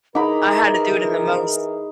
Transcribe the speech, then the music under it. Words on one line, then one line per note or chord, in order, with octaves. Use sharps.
I had to do it in the most
E3 D#4 G#4 A#4 A#5 B5 D6